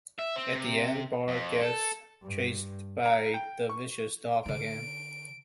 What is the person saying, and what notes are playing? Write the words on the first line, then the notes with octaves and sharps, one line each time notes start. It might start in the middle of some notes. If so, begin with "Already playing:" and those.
At the end Bart gets chased by the vicious dog again.
E5
C4
C3
F2
A4
G2
A#5
G5
C#6
D3 D#4 D7